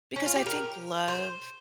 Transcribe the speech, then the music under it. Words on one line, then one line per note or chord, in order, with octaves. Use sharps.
because I think love
C#4
F4
G4
A#4
C5